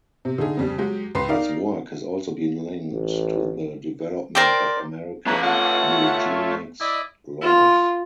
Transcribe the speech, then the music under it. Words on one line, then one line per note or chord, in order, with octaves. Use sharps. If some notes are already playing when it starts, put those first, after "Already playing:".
His work has also been linked to the development of American eugenics laws.
C3
D3 A3 D#4 G#4
F2 C#3 G3
F#3 G#3 G4
C#2 B4 C6 C7
D#4 A#4 D5 F5
A1
A#4 C5 D5 G5
A3 B4 C#5 A#5 B5
F4 A4 C#5 F#5
E4 D5 D#5
F4